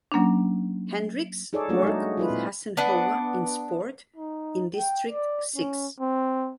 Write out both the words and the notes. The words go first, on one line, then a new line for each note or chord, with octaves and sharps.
Hendricks worked with Hassen Howa in sport in District Six.
F#3 A#3 C#4 D4
D#4 G#4 A4 C#5 D5
F#3 A3 A#3 C#4 D4 F#4
G#3 D#4
E4 F4 B4
A#2 C4
B3 D4 F#5
D#4
G5
D5
C#4
C4